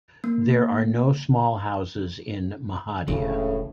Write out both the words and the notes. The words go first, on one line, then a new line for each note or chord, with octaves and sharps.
There are no small houses in Mehadia.
A#3
E1 A2 C#3